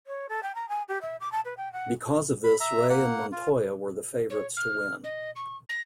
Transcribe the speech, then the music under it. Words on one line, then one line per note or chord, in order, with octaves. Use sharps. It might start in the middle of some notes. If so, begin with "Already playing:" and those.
Because of this Ray and Montoya were the favorites to win.
C#5
A4
G5
A#5
G#5
G4
E5
D6
A5
B4
G5
F#5
B5
E5 A#5
A#3 F#5
F4
C#5
F6
D#5
C#6
A#6